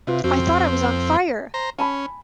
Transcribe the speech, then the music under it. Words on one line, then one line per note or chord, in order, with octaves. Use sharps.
I thought I was on fire!
C3 F4 B4 E5
F2 C4 F#4
C5 A#5
C#4 G#5 A5 B5